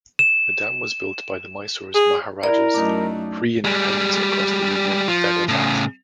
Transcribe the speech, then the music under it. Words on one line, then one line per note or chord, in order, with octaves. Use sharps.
The dam was built by the Mysore Maharajas pre-independence across the river Vedavathi.
E7
G#4
E4 A#4 D5
F#2 A3 D4 D#4
G3 G#3
F3
A2 C#3